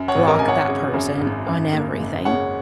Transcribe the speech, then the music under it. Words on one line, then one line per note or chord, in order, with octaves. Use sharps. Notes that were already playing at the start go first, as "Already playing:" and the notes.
block that person on everything,
Already playing: F#2
C#5 F#5
G#1
A#4 D#5
G#1 G#5
C#5 F#5
C#3
F#2
G#1
F#2
A#3
F#1
C#3 C#5 F#5